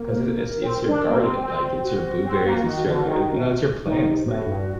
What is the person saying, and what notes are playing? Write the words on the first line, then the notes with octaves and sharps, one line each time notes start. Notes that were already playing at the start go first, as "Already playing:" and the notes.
'Cause i is is your garden, like, it's your blueberries, it's your li y you know, it's your plants. Like
Already playing: A#3
C5
A#4
A#4
C4
D4
A#3
C4
C4
F#4
C4
A#3
D#3
D3
D#3
C3
D#3 D#4
C3
A2 F#4
G2